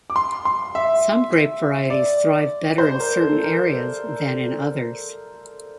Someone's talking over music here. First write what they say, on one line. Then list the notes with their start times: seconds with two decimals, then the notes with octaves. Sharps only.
Some grape varieties thrive better in certain areas than in others.
0.10 D6
0.16 C6
0.45 C6
0.75 E5
1.90 D5
2.78 C5
3.00 A#4
3.21 A4
3.44 A#4